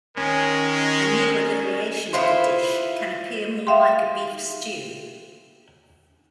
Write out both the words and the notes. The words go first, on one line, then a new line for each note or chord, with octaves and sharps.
A newer variation of the dish can appear more like a beef stew.
D#3 G#3 C#4 A#4
B3 E4 F4 C5
E5 F5 G5 C6